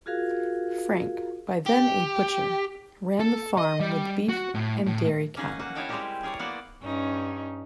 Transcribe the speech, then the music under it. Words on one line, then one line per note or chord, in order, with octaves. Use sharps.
Frank, by then a butcher, ran the farm with beef and dairy cattle.
F4 F#4 G#4 A#4 F5
G4
A4
D#5
G3
F#4
A2
A2
A#3 C#4 D#4 G#4 D#5 F#5
A#3 F#4 F#5
E4 C#5 D#5 F5 G5 A5
G3 G#3 C4 E4 G4 A#4
G#4 A#4 C#5 D5
A#3 B3 F#4 C5 D5 F#5
G2 C#4 D#4